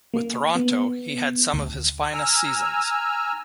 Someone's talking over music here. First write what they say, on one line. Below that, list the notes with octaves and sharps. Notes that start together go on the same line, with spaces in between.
With Toronto, he had some of his finest seasons.
A#3
B3
D2
G#5 A#5 E6 F6